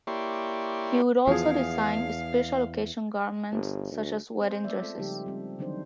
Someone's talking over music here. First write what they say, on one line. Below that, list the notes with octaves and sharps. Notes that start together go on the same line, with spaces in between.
He would also design special occasion garments, such as wedding dresses.
A#3 E4 G4 C#5 D5 C6
E2 F3 G#4 F5
G1
D2
C4 C5
G#3 A3 B3 D5 E5
C4 F4 A4
C#3 F3 G3 D#4 G4
G3 C4
D3 D#3 F#3 D4 D#4 C5